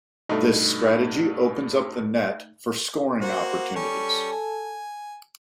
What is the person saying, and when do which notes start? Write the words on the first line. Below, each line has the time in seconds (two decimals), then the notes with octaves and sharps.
This strategy opens up the net for scoring opportunities.
0.29 G2 B2 A3 D#4
3.21 A#3 F#4 C5 F#5
3.76 G3 C#4 A4 C#6
4.32 G#5